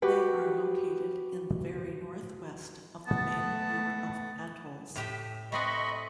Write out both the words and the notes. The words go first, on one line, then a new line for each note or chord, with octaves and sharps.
They are located in the very northwest of the main group of atolls.
F#4 G4 B4
A3 B3 A5
A2 G4 E5
A3 C4 B4 D#5 B5 C#6